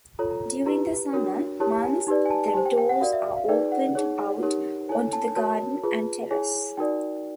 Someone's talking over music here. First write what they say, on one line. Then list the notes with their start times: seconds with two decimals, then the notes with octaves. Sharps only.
During the summer months the doors are opened out onto the garden and terrace.
0.19 F4 A4 C#5 A#5
0.31 A#5
0.66 E4 G4 B4 A#5
1.13 D4 F#4 A#4 C#5
1.60 E4 G4 A#4 C#5 A5
1.83 G#5
2.07 D#4 G4 B4 D5
2.26 G#5
2.30 A5
2.48 A5
2.54 G4 C5 G#5
2.66 G5
2.78 G5
2.89 F#5
3.01 F#4 A#4 D5 F5
3.13 E5
3.37 F5
3.48 D#4 G#4 B4 D5 G5
3.72 F#5
3.95 D#4 G#4 C#5
4.42 D#4 G4 A#4 C#5
4.89 E4 A4 C#5 G#5
5.13 A5
5.36 F#4 A#4 C#5 A5
5.84 F4 G#4 B4
6.31 E4 G#4 C#5 G#5
6.77 D#4 F#4 A#4 D5 G5